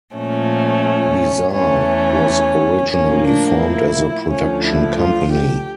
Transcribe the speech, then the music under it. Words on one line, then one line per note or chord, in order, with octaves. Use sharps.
Bizarre was originally formed as a production company.
A#2 F3 A3 C#4
E2 E3 A3 C#4
A2 F3 A#3 C#4
D4
E4
D2 D3 F3 C#4
E4
F4
G4